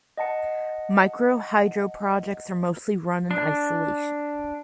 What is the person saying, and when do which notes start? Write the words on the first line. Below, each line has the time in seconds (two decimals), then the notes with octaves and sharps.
Micro hydro projects are mostly run in isolation.
0.17 D#5 F#5 A5 C#7
3.31 D4